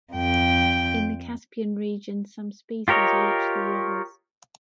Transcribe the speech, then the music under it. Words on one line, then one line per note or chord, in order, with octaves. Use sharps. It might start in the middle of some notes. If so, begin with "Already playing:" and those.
In the Caspian region some species reach the rivers.
F2 G5
F4 G4 A#4 C#5 D#5